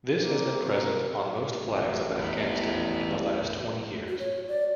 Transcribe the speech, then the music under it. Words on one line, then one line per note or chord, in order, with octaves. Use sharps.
This has been present on most flags of Afghanistan in the last twenty years.
A#3 C4
F#4 A#4
A1
E2 E4
F#4
C#5
D5